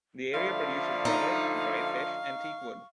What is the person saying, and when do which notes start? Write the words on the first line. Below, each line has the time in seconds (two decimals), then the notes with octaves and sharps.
The area produces rubber, dried fish, and teakwood.
0.34 D3 F3 A3 D5 E5 F5 B5
1.05 D#4
1.89 C#6